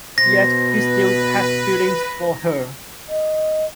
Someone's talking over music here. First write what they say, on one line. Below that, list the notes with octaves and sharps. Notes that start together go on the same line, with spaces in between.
Yet, he still has feelings for her.
B2 C5 A#6
B4
D#5